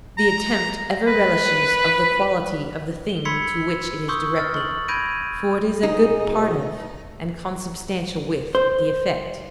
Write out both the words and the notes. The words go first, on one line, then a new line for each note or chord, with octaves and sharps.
The attempt ever relishes of the quality of the thing to which it is directed, for it is a good part of, and consubstantial with, the effect.
A#5
B4
G7
B5 C6 E6 G#6 B6 C#7
C6 C#6 D#6 E6 G6
F6 A6
C#6 F#7
B5 G6 G#6 A#6 D7 D#7
B2 D#4 G#4
C5